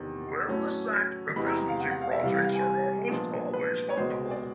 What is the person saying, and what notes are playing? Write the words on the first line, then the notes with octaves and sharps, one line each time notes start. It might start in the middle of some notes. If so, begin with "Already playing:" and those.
Well-designed efficiency projects are almost always fundable.
Already playing: E2 C3 D#3
A2 F#3 A3 C#4
E2 C3 E3 G#3 B5
A#5
A#5
F5
F#5
F#5
F5
E5
C2 C3 E3 G3 F5
F5
F5
G#5
A#2 F3 G#3 B3 D4
B4
C#5
C#2 B2 G#3 C5
D5